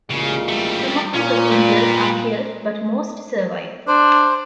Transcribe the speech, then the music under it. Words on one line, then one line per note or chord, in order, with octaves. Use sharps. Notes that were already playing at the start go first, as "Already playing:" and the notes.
Some of the passengers are killed, but most survive.
A1 A#2 C#3 G#3
G3 A3
A#2 C#4
G3 B4
D4 C5